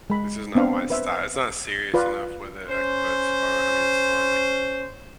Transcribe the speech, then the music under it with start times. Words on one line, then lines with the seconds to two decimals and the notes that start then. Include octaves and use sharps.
this is not my sty It's not serious enough with it, I but it's fu I mean, it's fun, like
0.10 G#3 B5
0.55 B3 C4 D4 F5
0.90 B4 C5 E5
1.94 F4 B4 D5 F5
2.69 C#4 C5